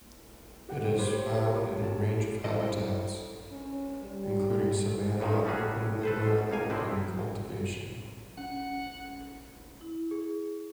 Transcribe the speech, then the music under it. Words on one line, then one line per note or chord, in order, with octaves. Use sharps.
It is found in a range of habitats including savanna, open woodland, and cultivation.
G4 F#5 G5
A#3 G4 C5 C#5 B5
C#4 A5 A#5
E4 A4 C5 D5 D#5
C#4
G3
E2 G2 A#2 D#3
G3 A3 C#4 F#4 G#4
A4 B4 C5
B2
G#1 C#2 A#3 F5 G#5
A#1 D3 D#3 C4 E4
F#3
C#4 F#5
E4
G#4